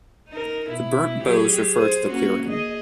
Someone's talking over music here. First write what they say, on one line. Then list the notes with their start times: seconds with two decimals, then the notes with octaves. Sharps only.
The burnt boughs refer to the clearing.
0.28 D#4 A#4
0.70 B2 E4
1.24 F#3 G4 G#4
1.72 G#4 C5
2.09 A#3 C#4 F#4
2.46 G#4 D#5